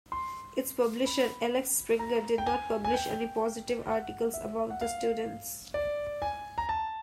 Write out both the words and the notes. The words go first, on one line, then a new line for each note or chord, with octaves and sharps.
Its publisher, Axel Springer, did not publish any positive articles about the students.
C6
B5
A#5
G5
G#5
G#5
G5
F#5
E5
F#5
F5
D5
G#5
A#5
A5